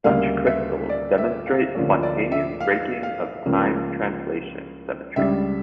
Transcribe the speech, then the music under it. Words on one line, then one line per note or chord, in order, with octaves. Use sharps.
Such crystals demonstrate spontaneous breaking of time translation symmetry.
D2 C#3 G3 A#3 F5
E5
D5
E5
F5
D2 D3 F3 A#3 C#4
D5
E5
F5
F5
C#2 C#3 F3 A#3 C#4
C#2 C#3 G3 D4 E5